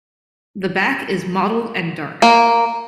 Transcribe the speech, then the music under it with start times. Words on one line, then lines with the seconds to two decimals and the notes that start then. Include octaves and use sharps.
The back is mottled and dark.
2.22 A#3